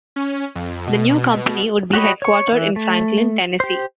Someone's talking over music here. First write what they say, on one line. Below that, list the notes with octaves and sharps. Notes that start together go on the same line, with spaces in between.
The new company would be headquartered in Franklin, Tennessee.
C#4
F2
B2
B2
F#4 G4 C#5 D#5 B5
C#5 C#6
E3
A3
G4 C5